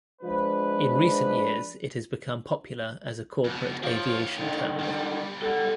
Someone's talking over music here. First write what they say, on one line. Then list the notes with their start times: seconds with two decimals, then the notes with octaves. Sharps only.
In recent years it has become popular as a corporate aviation terminal.
0.21 F3 G#3 D4 B4
3.45 F2 B2
3.83 F3 A#3 C#5
4.38 D3 D#3
4.79 B1 G3
5.42 A4 F#5